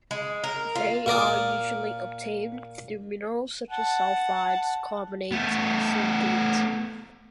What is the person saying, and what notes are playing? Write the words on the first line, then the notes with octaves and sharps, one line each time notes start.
They are usually obtained through minerals such as sulfides, carbonates, and silicates.
G#3
A#4
F4
A#2 A#4 D5 D#6
F#5 A5
A3 B3